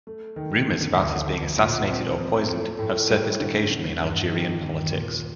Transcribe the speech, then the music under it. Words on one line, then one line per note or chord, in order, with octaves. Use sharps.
Rumors about his being assassinated or poisoned have surfaced occasionally in Algerian politics.
A3
D#3
D3
D2
F3
A#2
C4
F3
A3
A2
G3
D3
D3
G2
D#3
D#2
A#2